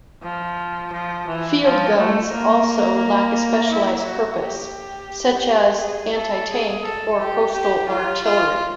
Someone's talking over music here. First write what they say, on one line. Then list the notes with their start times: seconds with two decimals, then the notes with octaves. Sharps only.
Field guns also lack a specialized purpose, such as anti-tank or coastal artillery.
0.23 F3
0.93 F3
1.28 E3
1.63 F3
1.98 A3
2.32 A#3
3.72 E4
4.06 F#4
4.41 G4
5.81 G#4
6.16 A4
6.51 G#4
6.85 A4
7.20 G4
7.54 G4
7.89 F4
8.24 F4